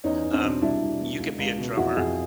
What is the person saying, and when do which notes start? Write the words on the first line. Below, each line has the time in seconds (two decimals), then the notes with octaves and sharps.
Um, you could be a drummer,
0.04 E2 C#4 D#4
0.24 E2
0.33 C4 D4
0.43 B2
0.61 C2 D4 E4
0.81 C2
1.01 B2
1.19 C#2
1.39 C#2
1.58 B2
1.77 F2 E4 F#4
1.96 F2 F#4 G#4